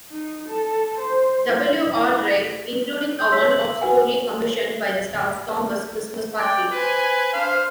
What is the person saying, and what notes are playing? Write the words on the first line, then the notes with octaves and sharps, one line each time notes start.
W. Awdry, including a one-off story commissioned by the staff, "Thomas' Christmas Party".
D#4
A4
C5
F4
E4
C6 G6
C#5 E6 B6
F#7
F#4 B4 F#5 G#5
D5 G5
B4 C5 G#5
D4 C5 F5